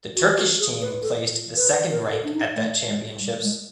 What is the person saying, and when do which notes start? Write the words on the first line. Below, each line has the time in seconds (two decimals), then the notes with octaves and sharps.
The Turkish team placed the second rank at that championships.
0.15 F#4
0.28 G4
0.38 F#4
0.60 G#4
0.81 B4
1.02 A4
1.57 B4
1.90 A#4
2.11 A4
2.24 D4
2.34 D#4
2.55 A3
2.88 G#3
3.20 G3
3.43 G#3